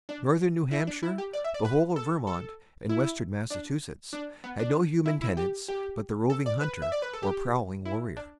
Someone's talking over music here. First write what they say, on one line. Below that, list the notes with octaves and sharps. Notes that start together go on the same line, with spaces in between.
Northern New Hampshire, the whole of Vermont, and Western Massachusetts had no human tenants but the roving hunter or prowling warrior.
D4
E4
D4
E4
G4
D5
E5
D5
B4
A4
A4
E4
D4
D4
B3
D4
E4
E4
G4
G4
A4
D5
B4
E5
D5
B4
A4
G4
E4
D4